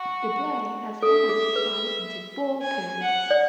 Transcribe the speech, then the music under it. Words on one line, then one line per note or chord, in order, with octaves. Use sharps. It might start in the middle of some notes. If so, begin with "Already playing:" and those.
The play has one act divided into four periods.
Already playing: F#4
A4 E5
G#4
B4
G#5
F#5
D5